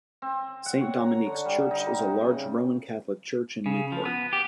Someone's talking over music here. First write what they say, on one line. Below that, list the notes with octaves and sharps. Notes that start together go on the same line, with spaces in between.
Saint Dominique's Church is a large Roman Catholic church in Newport.
C4
F#5
C#5
A#5
D3
G3
D#4
C3
C#3
C#3
F3
B3
G4